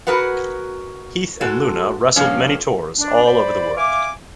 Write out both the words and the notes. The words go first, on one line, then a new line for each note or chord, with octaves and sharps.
Heath and Luna wrestled many tours all over the world.
F#4 G#4 A#4 B4 F#5
G#3 F#4 A4
G2 C3 F3 A#3 C#4
D4
C5 D5 B5
E5 F5 G#5 D6